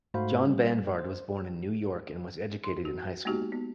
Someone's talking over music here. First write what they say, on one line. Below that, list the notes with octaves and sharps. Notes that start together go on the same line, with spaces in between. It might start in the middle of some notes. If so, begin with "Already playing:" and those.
John Banvard was born in New York and was educated in high school.
G#2 A3 F#4 C5 F5 B5
G3
C5
C6
F#4
G#3 A#3 B3 D#4 F#4 G4
B3